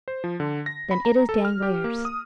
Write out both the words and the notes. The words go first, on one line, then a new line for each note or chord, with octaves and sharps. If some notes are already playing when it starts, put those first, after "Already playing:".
"Then it is Danglars."
C5
F3
D3
A#6
B5
A#5
A4
F6
G4
A#3
D#6